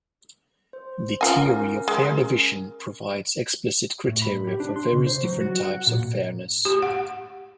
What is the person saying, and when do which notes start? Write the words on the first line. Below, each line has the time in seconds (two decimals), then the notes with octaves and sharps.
The theory of fair division provides explicit criteria for various different types of fairness.
0.73 C5
1.21 C#4 F4 A#4 G#5 A#6
1.88 G#3
4.08 A2
4.22 B5
4.47 G4
4.60 D4
4.76 C6
4.93 C#3
5.07 C5
5.24 F#3
5.41 F#4
5.64 F#5
5.87 A#2
6.65 G4
6.82 F#5